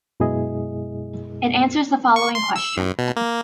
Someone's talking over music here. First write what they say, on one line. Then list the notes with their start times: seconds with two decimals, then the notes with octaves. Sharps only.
It answers the following question.
0.20 F#2 B2 G#3 E4 G#4 D#5
2.16 C#6
2.35 C6
2.56 E6
2.77 F#2
2.99 B2
3.16 A#3